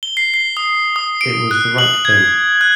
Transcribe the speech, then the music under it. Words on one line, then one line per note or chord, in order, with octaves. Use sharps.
It was the right thing.
G7
C7
C7
D#6
D#6
D7
F#6
F#7
G#6
F#6